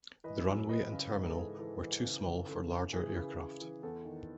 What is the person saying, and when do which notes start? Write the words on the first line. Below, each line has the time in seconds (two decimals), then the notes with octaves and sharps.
The runway and terminal were too small for larger aircraft.
0.24 E3 B4 D#5
0.46 F#2
0.69 F#2 B4 D#5
0.92 C#3
1.14 G#2 B4 D#5
1.27 A4
1.36 E3 G#4 B4
1.58 E3 A4
1.81 E3
2.03 C#3
2.26 C#3
2.49 C#3 A4
2.72 C#3
2.93 E3 G#4
3.16 C#3 G#4 B4
3.38 C#3
3.61 E3
3.83 E2 A4
4.05 D#3